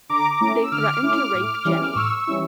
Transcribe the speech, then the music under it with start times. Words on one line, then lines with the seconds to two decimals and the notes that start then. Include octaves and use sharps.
They threaten to rape Jenny.
0.09 D3 A#5 D6
0.30 A#5 D6
0.41 A3 C#4 E4
0.63 E6
0.72 D3 D6 F6
1.03 A3 C#4 E4 D6 F6
1.34 A2
1.65 E3 G3 C#4 E4
1.96 A2 C#6 E6
2.16 C#6 E6
2.27 E3 G3 C#4 E4